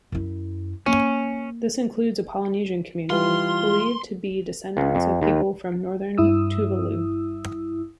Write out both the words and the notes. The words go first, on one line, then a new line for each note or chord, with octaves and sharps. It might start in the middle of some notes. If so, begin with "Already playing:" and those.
This includes a Polynesian community, believed to be descendants of people from northern Tuvalu.
F#2 E4
A#3 C#4
E3 G3 F4 C6
C#2
F2
D#2
G2 E4 D#6 E6